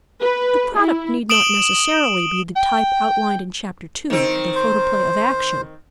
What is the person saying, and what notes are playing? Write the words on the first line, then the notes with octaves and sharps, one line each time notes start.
The product need not necessarily be the type outlined in chapter two, The Photoplay of Action.
B4
E4
D#6 D7 E7 F#7 G7
G5
D#3 C4
C5